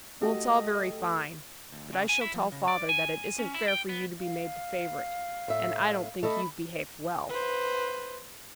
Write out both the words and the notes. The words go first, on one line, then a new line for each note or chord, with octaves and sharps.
"Well, it's all very fine, but I shall tell father that it isn't fair for you to be made the favourite, and I don't think you've behaved well."
A3 F#4 G4 D#5
D2
C#3
G#5
E4
F3
C#3
D5
G#5
C#4
E4
G5
B3
F5
A2 E5
A3 A4 D#5 B5
B4 C5